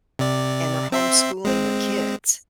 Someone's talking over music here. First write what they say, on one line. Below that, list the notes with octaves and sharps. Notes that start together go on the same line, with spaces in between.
and they're homeschooling their kids.
C3 D5
C4 E5 C6
G#3 C4